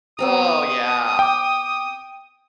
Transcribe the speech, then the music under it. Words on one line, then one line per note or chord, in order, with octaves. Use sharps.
Oh, yeah.
B3 C4 A#5 D#6
G5 D6